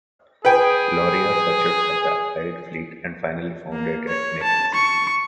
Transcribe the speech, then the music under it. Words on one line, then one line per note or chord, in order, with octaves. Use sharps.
Lauria searched for the allied fleet and finally found it at Naples.
G#4 B4 G5 G#5
A#3
C#5
A5
C#6